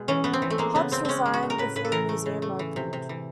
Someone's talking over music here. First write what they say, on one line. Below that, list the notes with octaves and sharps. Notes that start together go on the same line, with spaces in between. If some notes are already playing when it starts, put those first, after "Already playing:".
Hopps resigned before the museum opened.
Already playing: B2 G#3
E3 C#4
E3 B3
C4
E3
A3
G#3 A#3
C#3 B3
C#3 C4
G#3 C4 C#4
G#3
F#4
A#2
A#4
A2 B4
A2 B4
A4
E3 A#4
A3
C#3
A3
E3
C3
C3
E3